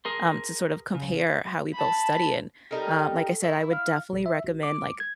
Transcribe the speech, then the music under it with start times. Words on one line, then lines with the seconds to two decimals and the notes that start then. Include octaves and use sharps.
um, to sort of compare how we both study, and, um, like I said, I would definitely recommend, like
0.05 G#4 A#4 C6
0.95 C#3
1.74 A5 B5
2.71 G3 D#4 A4 A#4
3.44 E4
3.71 F5 F6
4.13 A#1
4.26 E5
4.44 G#1
4.63 D6
5.00 G#6